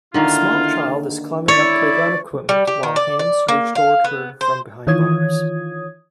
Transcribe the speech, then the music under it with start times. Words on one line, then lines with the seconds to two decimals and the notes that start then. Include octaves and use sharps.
A small child is climbing up playground equipment while hands reach toward her from behind bars.
0.14 D3 D#3 A#3 E4 F4
1.48 E4 C#5 D5
2.49 G3
2.67 G4
2.83 D#3
2.96 D5
3.19 D5
3.48 A#3
3.75 F5
4.04 B3
4.41 C5
4.87 D#3 E3 F4 C#5 D#6 G#6